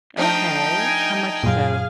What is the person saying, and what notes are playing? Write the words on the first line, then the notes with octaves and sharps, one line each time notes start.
Okay, how much so?
F3 A3 D4 D#4 G5
D#5 G#5
F#2 A#2 G#4 F5